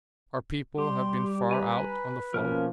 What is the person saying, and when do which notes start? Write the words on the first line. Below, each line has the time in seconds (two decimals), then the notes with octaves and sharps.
Our people have been far out on the floe.
0.78 G3 G4 C6
1.51 B4 G#5 A#5 B5
2.34 B2 F3 A#3 C#4 A#4